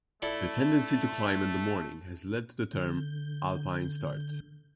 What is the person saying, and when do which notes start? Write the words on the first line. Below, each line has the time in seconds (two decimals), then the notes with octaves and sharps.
This tendency to climb in the morning has led to the term "Alpine Start".
0.22 A3 E4 A4 D5
2.73 D3 G6